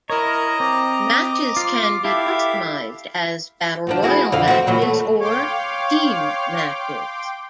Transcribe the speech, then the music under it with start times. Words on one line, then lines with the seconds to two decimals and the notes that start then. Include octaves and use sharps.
Matches can be customized as battle royal matches or team matches.
0.10 E4 A#4 C#5 D#5 A#5
0.60 C4 D6
1.57 F4 F6
2.04 E4 G4 A4 E5 F5
3.87 D2 F3 D4
4.03 E4 F#4 G#4
4.32 F2 D3 F5
4.48 C4 F#4
4.67 A#2 E3 F#3
4.82 A3
5.21 C#5 F5 G5 C6 D6